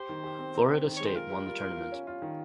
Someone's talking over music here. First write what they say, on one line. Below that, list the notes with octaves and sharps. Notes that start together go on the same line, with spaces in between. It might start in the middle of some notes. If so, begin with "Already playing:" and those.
Florida State won the tournament.
Already playing: G4 C5
D#3
G4
C4
C4
C4
D#3
G#3 C#5
C5
F4 A#4
G3
F4
F4
F4
C#4
F4
D#3